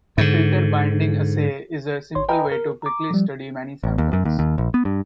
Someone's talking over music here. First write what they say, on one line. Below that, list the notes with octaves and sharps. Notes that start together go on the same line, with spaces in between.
A filter binding assay is a simple way to quickly study many samples.
G#2 D3
G#1 C#5 C6
B4 D#5 G5 G#5 A#5 B5
A#4
A#5 D6
F3 G3
A1
D#2
F#2
D#2
D#2
A#1
B3
G2